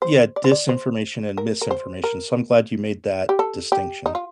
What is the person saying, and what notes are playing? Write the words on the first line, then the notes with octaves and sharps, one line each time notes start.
yeah, disinformation and misinformation, so I'm glad you made that distinction.
C5
D5
C5
D5
C5
A#4
A#4
C5
A#4
G4
A4
G4
D#4
F4